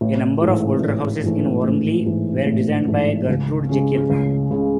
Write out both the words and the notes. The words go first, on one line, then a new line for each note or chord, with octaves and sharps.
A number of the older houses in Wormley were designed by Gertrude Jekyll.
A1
G#2 E3 A3
A1
G#2 E3 A3
A1
G#2 E3 A3
A1
G#2 E3 A3
C#2
C#3 G#3 C#4
C#2
C#3 G#3 C#4